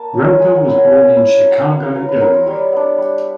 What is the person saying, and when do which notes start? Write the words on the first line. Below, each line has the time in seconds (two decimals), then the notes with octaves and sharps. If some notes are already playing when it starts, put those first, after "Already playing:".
Roeper was born in Chicago, Illinois.
Already playing: A#3 A5
0.14 C#4 F4
0.39 G#3 G#5
0.56 F#5
0.65 C#4 E4
0.74 F#5
0.91 G#3 F5
1.17 C#4 E4
1.43 F#3 E5
1.52 F5 F#5
1.69 B3 E4 F5
1.82 F5
1.94 F#3 B4
2.08 B4
2.21 B3 E4 A#4
2.34 C5
2.46 G3 C#5
2.72 B3 D4
2.98 G3